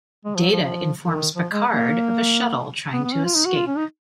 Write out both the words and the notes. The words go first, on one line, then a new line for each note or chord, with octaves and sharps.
Data informs Picard of a shuttle trying to escape.
G#3
F3
F#3
F3
F3
D#3
F3
G#3
A#3
B3
B3
C#4
F4
D#4
F#4
F4
C#4
D#4